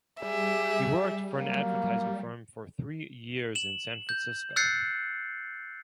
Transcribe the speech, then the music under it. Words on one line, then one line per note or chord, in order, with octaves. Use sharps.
He worked for an advertising firm for three years in San Francisco.
G3 G4 G#4 E5
F#3 A#3
E7 F#7
G6
E6 F#6 G6 A6 C7 C#7